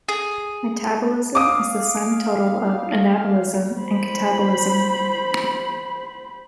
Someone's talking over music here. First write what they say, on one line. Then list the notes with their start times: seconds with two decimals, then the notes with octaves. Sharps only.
Metabolism is the sum total of anabolism and catabolism.
0.09 G#4
1.35 F5 D6 D#6
3.77 C5 B5